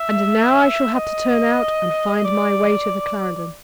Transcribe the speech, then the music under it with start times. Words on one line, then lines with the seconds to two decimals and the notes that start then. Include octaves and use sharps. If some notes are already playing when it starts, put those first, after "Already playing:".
And now I shall have to turn out and find my way to the Clarendon.'
Already playing: E5
0.94 D#5
2.16 D#5
2.24 D5